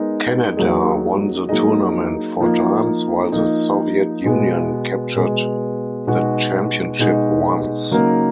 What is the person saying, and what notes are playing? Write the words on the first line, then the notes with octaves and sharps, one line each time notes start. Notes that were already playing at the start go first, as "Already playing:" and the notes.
Canada won the tournament four times, while the Soviet Union captured the championship once.
Already playing: G#3 B3 D#4 A#4
F#3 A#3 D#4 G#4 D#5
F#3 A#3 D#4 G#4 D#5
F3 A#3 D#4
F3 A#3 D#4
B2 G#3 B3
B2 G#3 B3
B2 G#3 D#4 F#4
B2 G#3 D#4 F#4
C#3 F#3 A#3 D#4 A#4